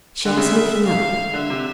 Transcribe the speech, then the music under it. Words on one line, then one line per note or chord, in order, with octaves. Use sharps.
Shares looking up.
D3
C#3 E5
F5
D3 E5
C3